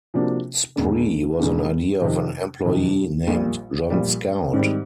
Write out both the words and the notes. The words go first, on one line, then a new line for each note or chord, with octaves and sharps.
Spree was an idea of an employee named John Scout.
C3 F3 A#3 D4 F#4
E1 D#2 D3
E1 D#2 D3
F2 C3 D#3
F2 C3 D#3
A#1 A#2 G3
A#1 A#2 G3
G#2 D#3 G3 C4